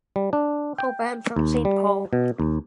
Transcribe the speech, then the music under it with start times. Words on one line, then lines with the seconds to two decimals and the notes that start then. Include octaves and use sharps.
Hoban from Saint Paul.
0.16 G3
0.33 D4
0.78 G5
1.36 D#2
1.65 G3
2.13 B2
2.40 D#2